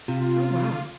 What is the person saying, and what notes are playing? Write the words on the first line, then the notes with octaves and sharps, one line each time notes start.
Oh, wow.
C3 F4